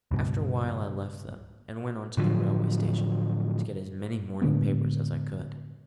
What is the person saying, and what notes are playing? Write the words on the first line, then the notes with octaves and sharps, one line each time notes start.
After a while I left them, and went on to the railway station to get as many morning papers as I could.
C#2 G2 B2
A2 D3 F3 F#3
A2 D3 G#3 B3